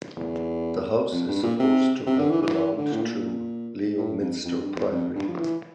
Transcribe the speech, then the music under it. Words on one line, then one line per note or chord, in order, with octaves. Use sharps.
The house is supposed to have belonged to Leominster Priory.
E2
F2
G2
A#2
C3
C3
D3
E3
E3
E3
D3
A2
A#2
A2
F2
F2
G2
E2
F2
G2
F3
E3